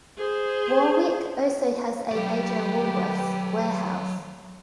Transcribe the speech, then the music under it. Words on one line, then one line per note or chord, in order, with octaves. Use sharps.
Warwick also has a major Woolworths warehouse.
G#4 C5
F#3 G4 A4 B4 D5